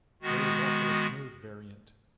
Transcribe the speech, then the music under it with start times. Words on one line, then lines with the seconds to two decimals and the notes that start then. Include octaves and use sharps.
There is also a 'smooth' variant.
0.22 D#3 G#3 B3 F#4